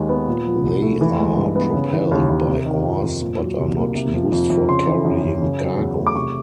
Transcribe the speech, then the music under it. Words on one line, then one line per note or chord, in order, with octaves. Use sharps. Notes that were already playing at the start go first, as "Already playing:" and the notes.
They are propelled by oars but are not used for carrying cargo.
Already playing: D#2 D#3 G#3
B3
A#2
F3
C2
A3
E3
G#3
G2
B3
C#3
E3
D#2
D#2
C3
D#3
F2
F2
A#2
F#3
C2
A#3
C3
F3
F2
F2
C#3 C6
E3
F#2
F#2
C#3
F#3
E2
A3
D6
C3 C#6